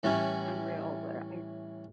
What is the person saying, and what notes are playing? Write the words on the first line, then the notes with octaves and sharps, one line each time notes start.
unreal, where I
A2 E3 G3 C#4 E4